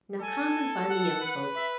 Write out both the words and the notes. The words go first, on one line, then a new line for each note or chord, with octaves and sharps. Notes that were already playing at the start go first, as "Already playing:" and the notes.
Now, come and find the young folk.
A4 G#5
F#5
B4
E5